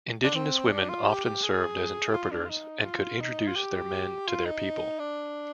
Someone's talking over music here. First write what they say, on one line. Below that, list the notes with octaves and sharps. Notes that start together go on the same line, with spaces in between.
Indigenous women often served as interpreters and could introduce their men to their people.
D4
C4
D4
F4
G4
G4
G#4
G4
F4
D4
F4
D#4
F4
D#4
F4
G4
F4
D#4
D4